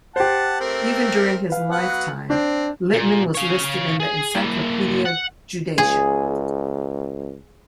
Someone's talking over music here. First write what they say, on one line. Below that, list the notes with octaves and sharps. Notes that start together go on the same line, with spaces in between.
Even during his lifetime, Littmann was listed in the Encyclopaedia Judaica.
G4 C5 F#5 A5
A3 C4 A#4
B4 F5
F#3 B3 F#5
C4 D4
A#2
C#5 F5
G#4
A#3 E4
F#5
C#2 G#4